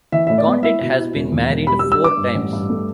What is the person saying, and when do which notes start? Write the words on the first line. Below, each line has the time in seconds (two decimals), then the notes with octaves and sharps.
Condit has been married four times.
0.12 E3 E5
0.27 A2 E5
0.38 D5
0.47 B3
0.63 E4 E5
0.81 B2
0.98 E4
1.15 E1
1.32 E2
1.49 E1
1.67 G3 B5
1.79 E6
1.84 G3
1.92 E6
2.00 D4 D6
2.17 G2
2.35 A1
2.53 G2
2.70 A3